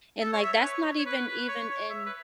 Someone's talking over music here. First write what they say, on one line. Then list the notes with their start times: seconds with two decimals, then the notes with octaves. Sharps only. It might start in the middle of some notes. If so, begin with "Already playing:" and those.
and, like, that's not even even in
0.21 A4
0.33 C#5
0.43 E5
0.54 C#5
0.60 B4
0.64 C#5
0.99 C#5
1.06 B4
1.28 B4
1.48 C#5
1.69 C#5
1.90 E5
2.06 B4